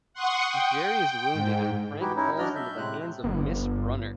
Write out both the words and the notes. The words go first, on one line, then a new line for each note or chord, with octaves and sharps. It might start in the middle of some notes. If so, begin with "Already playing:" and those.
Jerry is wounded, and Frank falls into the hands of Miss Brunner.
F#5 C6 C#6 D#6
G5
G5
G#2
E3 D#4 E4 F#4 G4
C#4 D#4 E4
F#3 D4 F#4 D5 D#5 F6
E5 G6
A2 C3 G#3 F#6
G1